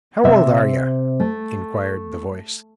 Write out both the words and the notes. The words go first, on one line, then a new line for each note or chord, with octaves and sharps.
'How old are yer?' inquired the voice.
C3 E5
A3